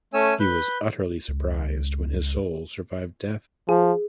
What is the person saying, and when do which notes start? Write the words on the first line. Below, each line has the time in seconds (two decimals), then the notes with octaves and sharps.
He was utterly surprised when his soul survived death.
0.13 A3 C#4 C#5 G#5 E6
0.39 B4 G6
1.28 C#2
3.69 F3 G#4